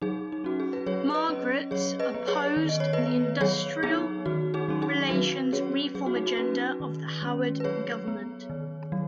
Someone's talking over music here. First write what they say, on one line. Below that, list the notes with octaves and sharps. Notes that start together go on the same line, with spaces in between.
Margetts opposed the industrial relations reform agenda of the Howard Government.
F#3 D#4 G#4
D#4
C#4 F#4
G#4
B4
F#3 G#4 C#5
B4 D#5
C#4
F#3 G#4 C#5
B4 D#5
B3
G#4 C#5
D#3
D#5
C#5
B3 B4 D#5
F#3 G#4 C#5
B3 D#4 G#4
D#3 F#4
D#4 G#4
F#3 C#4
D#4 G#4
F#3 F#4 B4
C#4 G#4 C#5
F#3 G#4
F#4
D#4
F#4
C#4 F#4 B4
D#3
G#3 C#4
B4
F#3 G#4 C#5
B3
D#3
F#3